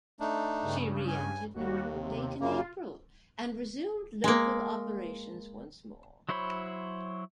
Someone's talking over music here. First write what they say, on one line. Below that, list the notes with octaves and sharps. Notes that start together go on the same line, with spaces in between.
She re-entered Newport late in April and resumed local operations once more.
A3 D4 D#4
G2 C#3
G#5
D#2 G3 F#4
C3
F#2 C#3 A#3 F4
G#3 A#3
F#3 E4 C5 C#5 B5